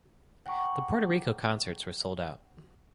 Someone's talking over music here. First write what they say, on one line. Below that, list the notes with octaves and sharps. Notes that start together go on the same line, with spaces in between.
The Puerto Rico concerts were sold out.
F#5 G5 A#5 C#6 D6